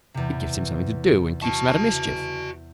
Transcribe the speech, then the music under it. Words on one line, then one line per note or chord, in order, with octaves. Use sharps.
It gives him something to do and keeps him out of mischief.
E2 C3
F#4 A5 C#6